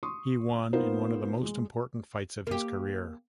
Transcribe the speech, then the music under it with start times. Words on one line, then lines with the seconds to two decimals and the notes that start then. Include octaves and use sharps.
He won in one of the most important fights of his career.
0.03 C6 C#6 D#6
0.73 A#3 B3 D#4 F4 A#4 C5
1.43 G#3
2.47 A#3 G4